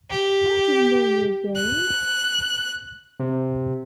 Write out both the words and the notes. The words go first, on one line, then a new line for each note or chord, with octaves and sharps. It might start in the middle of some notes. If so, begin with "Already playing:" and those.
I didn't know you were gone.
G4
F#6
C3